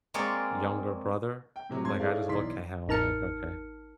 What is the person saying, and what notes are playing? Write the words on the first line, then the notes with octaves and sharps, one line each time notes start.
younger brother. Like, I just look at how, like, okay.
G#3 A#3 C4 G#4 C#5 D5
G5
A2 C3 F#3
G#2 C4 A5 C6 G#6
E4 G#4 A4 C#5 D5 F5
B1 E3 D#4 D5 C6 B6
A1 D#4 A#4 A5 F6 C#7